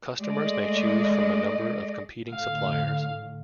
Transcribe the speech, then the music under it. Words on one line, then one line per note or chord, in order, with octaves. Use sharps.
Customers may choose from a number of competing suppliers.
G#3 A3 D5 D#5
A2 D3 F5